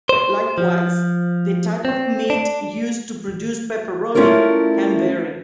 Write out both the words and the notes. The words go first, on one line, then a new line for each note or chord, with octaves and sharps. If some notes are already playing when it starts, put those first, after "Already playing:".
Likewise, the type of meat used to produce pepperoni can vary.
C5
F3
C4
D4
A3 C#4 E4 F4 A#4 D5